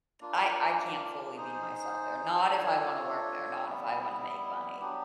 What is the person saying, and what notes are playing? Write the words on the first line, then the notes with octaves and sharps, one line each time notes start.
d I I can't fully be myself there, not if I wanna work there, not if I wanna make money.
A#3 D4 F4
D#4 G#4 C5
D4 F4 A4 C#5
G3 B3 E4
F#3 B3 D4 G4